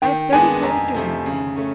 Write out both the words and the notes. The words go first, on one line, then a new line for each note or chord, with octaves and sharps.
I have thirty collectors in the family.
D#3 G5
G#3 B3 D4 G#5
F2 A#5
C3 F3 A3
C#3
A3 C#4